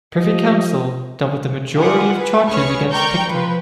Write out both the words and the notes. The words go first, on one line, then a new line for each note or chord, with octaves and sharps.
The Privy Council dealt with the majority of the charges against Picton.
F3 G4 D#5
F4 G4 G#4 F#5
G#4 B4
C#2 G#4 B4 C#5 C#6 F6
A#4 D5 G5 A#5 C#6 G6
F3 B4